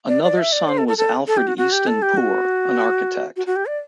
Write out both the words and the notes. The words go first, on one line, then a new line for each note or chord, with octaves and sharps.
Another son was Alfred Easton Poor, an architect.
D5
D5
E5
D5
C5
A4
A4
A4
A4
G4
F#4
F#4
G4
A4
G4
F#4
F#4
F#4
G4
D5